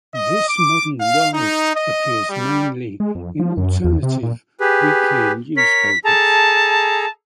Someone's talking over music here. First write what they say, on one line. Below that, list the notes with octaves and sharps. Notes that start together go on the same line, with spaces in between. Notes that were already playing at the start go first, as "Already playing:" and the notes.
"This Modern World" appears mainly in alternative weekly newspapers.
D#5
D6
F5
D#4
D#5
G3
G#3
F2
F3
F#2
E2
C3
A#2
G4 G#4 B4
A#4 C#5 B6
G#4 A4 A5 A#5